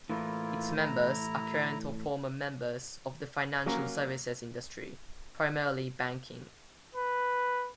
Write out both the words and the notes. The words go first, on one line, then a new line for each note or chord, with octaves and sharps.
Its members are current or former members of the financial services industry, primarily banking.
A2 E3 A#3 E4 F4
E4 A#5
F#3 A#3 C#4 A#4
B4